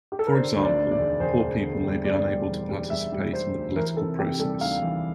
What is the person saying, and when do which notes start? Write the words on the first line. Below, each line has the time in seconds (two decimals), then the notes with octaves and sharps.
For example, poor people may be unable to participate in the political process.
0.12 G4
0.19 A4
0.27 A#4
0.35 D3 C5
0.56 D2
0.63 D5
0.77 D2
0.92 D5
0.98 E1
1.20 E1 C5
1.41 E1
1.62 D3
1.84 G3
2.05 G3 D5
2.27 G3
2.48 E1
2.69 G3
2.90 G3 E5
3.12 G3
3.33 G3 C5
3.55 D2
3.76 E3 A#4
3.97 C3 A4
4.19 C3 G4
4.39 G3 A4
4.61 D2 F5
4.82 E3